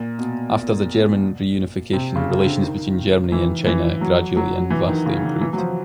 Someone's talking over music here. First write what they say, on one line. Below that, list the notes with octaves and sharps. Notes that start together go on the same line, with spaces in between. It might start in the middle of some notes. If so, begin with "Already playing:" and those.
After the German reunification, relations between Germany and China gradually and vastly improved.
Already playing: A#2
B2
C3
C#3
D3
D#3
E3
E3
F#3
F#3
E3
D#3
C#3
D#3
E3
F#3
F3